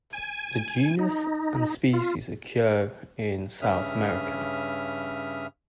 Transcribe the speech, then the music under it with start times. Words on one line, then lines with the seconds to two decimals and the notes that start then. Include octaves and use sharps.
The genus and species occurs in South America.
0.13 G#5
0.99 D#4
1.93 F4
3.61 G2 C#3 C#4 E5 D#6 F6